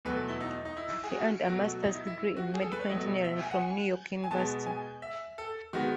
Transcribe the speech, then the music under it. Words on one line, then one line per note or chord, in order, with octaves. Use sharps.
He earned a master's degree in medical engineering from New York University.
E2 B2 F#3 A3 B4
E4
D#4
D#4
E4
G#4
F#4
B2 F#3 A3 F#4
F#4
D#4
E4
E4
E4
F#4
G#4
A4
B4
C#5
B2 F#3 A3 D#5
E5
G#5
F#5
G#5
G#5
B2 G#3 B3 A5
G#5
E5
A4
D#3 G#3 B3 F#4